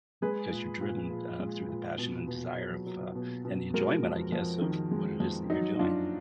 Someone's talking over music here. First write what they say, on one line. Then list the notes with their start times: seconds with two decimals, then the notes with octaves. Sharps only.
because you're driven, uh, through the passion and desire of, uh and the enjoyment, I guess, of what it is that you're doing.
0.22 G#3 G#4 B4
0.52 A#2
0.81 A#2
1.10 F3
1.39 G#3
1.69 A#2
1.98 B2
2.27 B2
2.57 F#3
2.86 F#3
3.15 B2
3.45 B2
3.74 G#3 F#4 A#4
4.03 F2
4.32 F2
4.62 D#3
4.91 G#3
5.20 F2
5.50 F#3 D#4 F#4
5.79 F#2 D4 F4